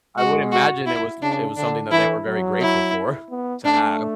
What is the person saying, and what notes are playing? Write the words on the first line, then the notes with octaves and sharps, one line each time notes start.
I would imagine it was it was something that they were very grateful for to have.
G#3 F#4
F#4
E4
C#3 D4
D3 D4
E3 E4
F#3
E4
B3
A3 D4